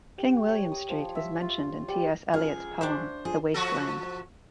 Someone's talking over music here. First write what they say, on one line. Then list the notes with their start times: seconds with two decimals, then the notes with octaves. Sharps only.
King William Street is mentioned in T. S. Eliot's poem The Waste Land.
0.18 G4
0.49 C#5
0.72 D#6
0.90 F3
1.15 E5
1.41 F4
1.88 G3
2.34 C#2 F3 G#4 F6
2.81 D4 F#4 C5 E5
3.25 F3 G#4
3.54 F3 F#4 A4